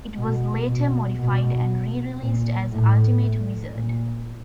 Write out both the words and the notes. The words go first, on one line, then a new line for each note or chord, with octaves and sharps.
It was later modified and re-released as Ultimate Wizard.
B2
B2
B2
A#2
A2
A#2